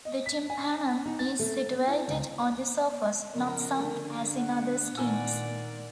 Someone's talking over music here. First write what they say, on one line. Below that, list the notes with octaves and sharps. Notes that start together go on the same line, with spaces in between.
The tympanum is situated on the surface, not sunk as in other skinks.
D#5
B6
G#5
D#4
A6
A3
B3
E4
C#2
C#3 F3 A#4
D3 A3
F#5
A#2 D#3 D5 G#5 E6